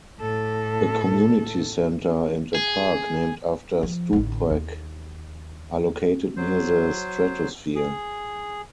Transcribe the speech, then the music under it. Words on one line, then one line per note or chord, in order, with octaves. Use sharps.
A community center and a park named after Stupak are located near the Stratosphere.
A2 A4
G#4
F3
A1 D3
D#2
F#3 C5
G#4